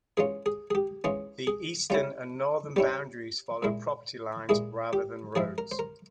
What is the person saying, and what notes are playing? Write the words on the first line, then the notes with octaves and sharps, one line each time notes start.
The eastern and northern boundaries follow property lines, rather than roads.
E3 G#3 C#4 F4 G#4
G#4
G#4
G4
E3 G#3 C#4 F4 G#4
G#4
G3 C#4 E4 F4
G3 C#4 E4 G4
A#2 G#3 E4
A#2 G#3 E4 G#4
G4
F3 G#3 E4 G#4
A#4
C5
A#4